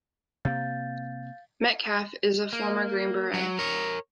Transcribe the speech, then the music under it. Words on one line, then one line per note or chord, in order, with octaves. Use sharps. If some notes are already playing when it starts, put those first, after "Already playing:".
Metcalf is a former Green Beret.
C3 A#3 F5 G6 A6
A#3
F#3
A#4 C#5